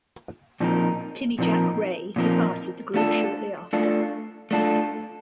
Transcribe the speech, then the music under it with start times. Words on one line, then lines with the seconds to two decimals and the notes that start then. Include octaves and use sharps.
Timmy Jack Ray departed the group shortly after.
0.60 A#2 F3 C4 D#4 A#4
1.39 A#2 F3 C4 D#4 A#4
2.16 A#2 F3 C4 D#4 A#4
2.94 A3 D4 F4 A4
3.73 A3 D4 F4 A4
4.51 A3 D4 F4 A4